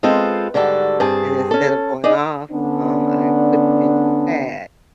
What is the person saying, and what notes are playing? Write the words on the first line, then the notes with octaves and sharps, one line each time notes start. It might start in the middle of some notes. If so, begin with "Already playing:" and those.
and instead of going off, um, I put the pen to the pad
G#3 C4 F4 A4 B4 C5
G#2 D3 G3 F#4 A4
G2 C4 G#4 C5 A5
C#4 A4
D4 D#4 G#4
D3 B3 C#4 D4